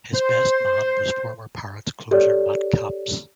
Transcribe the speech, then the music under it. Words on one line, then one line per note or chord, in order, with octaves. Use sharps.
His best man was former Pirates closer Matt Capps.
C5
G4 A4 C#5 D5